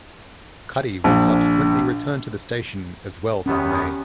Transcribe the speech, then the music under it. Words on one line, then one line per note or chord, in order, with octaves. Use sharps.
Cuddy would subsequently return to the station as well that May.
A#1
E2 D#3 B3 C#4 G4